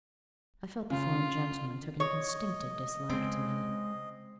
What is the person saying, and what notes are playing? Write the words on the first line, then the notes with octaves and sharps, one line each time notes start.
I felt the foreign gentleman took an instinctive dislike to me.
C#3 F4
C#5 D#5
C#3 G#3 C4